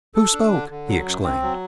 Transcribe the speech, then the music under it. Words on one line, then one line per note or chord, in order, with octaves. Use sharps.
"Who spoke?" he exclaimed.
A4
D4
D3
D3
F#3
F#2
C4
F#3